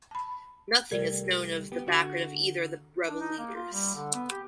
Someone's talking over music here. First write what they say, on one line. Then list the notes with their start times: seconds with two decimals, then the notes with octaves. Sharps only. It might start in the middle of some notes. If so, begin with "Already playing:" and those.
Nothing is known of the background of either of the rebel leaders.
0.11 A5 B5
0.91 C2 G3 A3 A#4 D5
1.72 B3 G4
1.87 D3 F#4
3.08 D4
3.20 D#4
3.39 A#3
3.55 F4
3.73 G3
3.95 D3
4.14 B3
4.30 G4